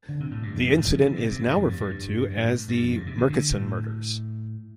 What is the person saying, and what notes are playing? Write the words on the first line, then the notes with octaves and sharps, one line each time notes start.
The incident is now referred to as the Murchison Murders.
D3
C3
A2
G2
F2
G2
A2
F3
D3
C3
C3
G2
F2
G2
G2
A2
G2
F2
G2
C3
D3
D3
A2